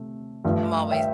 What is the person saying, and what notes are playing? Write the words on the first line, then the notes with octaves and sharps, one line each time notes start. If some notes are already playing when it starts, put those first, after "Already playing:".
I'm always
Already playing: C3 A3
G2 F3 A3
E5 G5